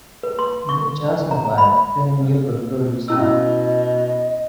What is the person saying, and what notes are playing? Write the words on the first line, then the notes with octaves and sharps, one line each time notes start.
Their jaws are wide, framing a protruding snout.
B4
C6
C#6
A#5
B5
B2 C#4 E4 D#5 E6